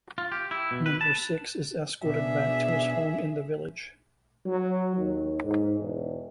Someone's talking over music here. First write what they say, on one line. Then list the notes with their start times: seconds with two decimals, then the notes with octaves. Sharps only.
Number Six is escorted back to his home in the Village.
0.18 F4
0.32 G4
0.51 E4
0.71 B2
0.86 B4
1.01 A5
2.05 B2 D4 G#4 E5
4.45 F#3
4.97 D#2
5.44 G#2
5.79 E1